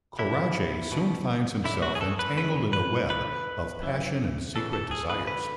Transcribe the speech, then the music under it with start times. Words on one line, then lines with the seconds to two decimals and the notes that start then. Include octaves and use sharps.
Coraje soon finds himself entangled in a web of passion and secret desires.
0.19 F#2 D3 E4
0.92 C#2 B2
1.64 F#2 D3 E4
1.82 F#4
1.95 G#4
2.01 A4
2.19 B4
2.37 E2 C#3 E3 B4
2.73 B4
3.09 D2 D3 B4
3.82 F#2 E3
4.55 E2 C#3 E3 A4
4.73 A4
4.91 G#4
5.10 B4
5.27 D2 D3 B4